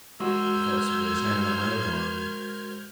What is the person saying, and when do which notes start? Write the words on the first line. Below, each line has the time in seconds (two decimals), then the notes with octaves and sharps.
I felt somebody's hand on my own arm.
0.20 G#3 F#4 A#4 C5 E6 F6 G6 G#6